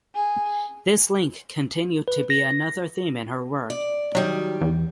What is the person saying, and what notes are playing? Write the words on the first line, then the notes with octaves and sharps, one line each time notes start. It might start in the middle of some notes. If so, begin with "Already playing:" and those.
This link continued to be another theme in her work.
G#4
B4
A#6
D5
D#3 F#3 G3
E2